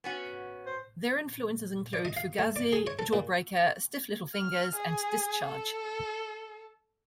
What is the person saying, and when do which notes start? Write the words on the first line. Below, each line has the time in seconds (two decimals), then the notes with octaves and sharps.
Their influences include Fugazi, Jawbreaker, Stiff Little Fingers and Discharge.
0.04 B3 C#4 F#4
0.66 C5
1.93 D5
2.05 D#5
2.17 F5
2.39 A3
2.56 D5
2.73 G#4
2.87 C#5
2.99 A4
3.13 A#2
4.35 F6
4.76 G#4
5.47 A4